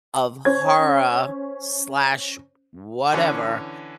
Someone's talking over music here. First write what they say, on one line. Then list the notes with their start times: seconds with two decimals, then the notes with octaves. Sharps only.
of horror/whatever
0.45 C#4 C5 G#6
3.13 D3 E3 C#4